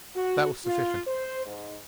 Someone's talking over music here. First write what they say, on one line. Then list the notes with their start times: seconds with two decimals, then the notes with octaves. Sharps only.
That was sufficient.
0.15 F#4
0.65 F4
1.06 C5
1.45 G#2